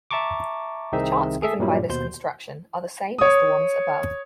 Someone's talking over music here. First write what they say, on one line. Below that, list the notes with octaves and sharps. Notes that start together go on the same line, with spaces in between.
The charts given by this construction are the same as the ones above.
E5 A5 A#5 C#6 D6
C2 D#3 C4 D#4 G#4 E5
G#4 A4 E5
G2 A#2 F#3 G3 E4
D#2 B2 C5 G6
C#5 D#6